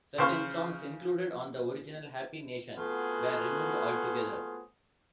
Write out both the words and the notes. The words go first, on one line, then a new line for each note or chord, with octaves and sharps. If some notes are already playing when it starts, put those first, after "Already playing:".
Certain songs included on the original "Happy Nation" were removed altogether.
C#3 C5 F5 C#6
A3 B3 C4 F4 F#4 G#4